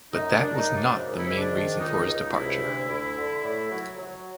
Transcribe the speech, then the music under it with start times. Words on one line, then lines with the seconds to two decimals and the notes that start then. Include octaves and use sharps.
But that was not the main reason for his departure.
0.12 F#2 D#4
0.33 D4
0.41 F#2
0.54 D#4
0.68 C#3
0.75 D4
0.95 G#2
1.17 E4
1.23 G#2
1.36 D4
1.50 D#3
1.57 D4
1.78 C#2 D#4
2.06 C#2 D#4
2.33 C3 E4
2.61 D2
2.89 D2
3.16 D3
3.44 A2
3.71 F#3
3.98 F#3